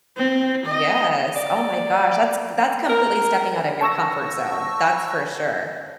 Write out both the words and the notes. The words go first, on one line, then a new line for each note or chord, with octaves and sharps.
Yes. Oh my gosh. That's that's completely stepping out of your comfort zone. That's for sure.
C4
D#5
D5
A#4
A5 C#6 E6 A#6